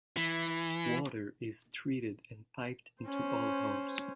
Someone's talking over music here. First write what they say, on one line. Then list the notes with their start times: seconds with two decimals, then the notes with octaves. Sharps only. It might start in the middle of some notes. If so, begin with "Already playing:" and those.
Water is treated and piped into all homes.
0.17 E3
3.03 C#4 C5